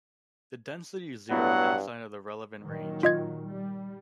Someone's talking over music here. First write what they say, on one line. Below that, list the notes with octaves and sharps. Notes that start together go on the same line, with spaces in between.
The density is zero outside of the relevant range.
G2 F#3 B3 E4 F#5
A#2 D#3 F#3
F4 D#5 G#6
G3